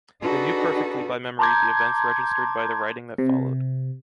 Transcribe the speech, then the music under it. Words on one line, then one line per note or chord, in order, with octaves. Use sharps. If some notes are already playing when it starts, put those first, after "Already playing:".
They knew perfectly by memory the events registered by the writing that followed.
D4 D#4 F#4 G#4 A4 B4
A5 A#5 C6 D6 G6 G#6
C3